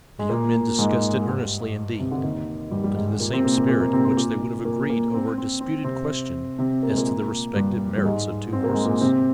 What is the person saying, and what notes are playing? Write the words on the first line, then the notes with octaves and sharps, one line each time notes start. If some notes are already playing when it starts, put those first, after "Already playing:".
The young men discussed it earnestly, indeed, but in the same spirit in which they would have agreed over a disputed question as to the respective merits of two horses.
G#3
A#2 A#3
G#2 G#3
G#3
G2 G3
C3
D3
D#2 D#3
G2 G3
G3
G#2 G#3
A#2 A#3
C3 C4
A#2 A#3
A#2 A#3
A#2 A#3
A#2 A#3
C3 C4
C3 C4
A#2 A#3
A#2 A#3
A#2 A#3
C4
C4
C4
C3 C4
C3 C4
A#3
G#3
A#2 A#3
G2 G3
G3
G#2 G#3
C4
A#3
G#3
A#2 A#3
C3 C4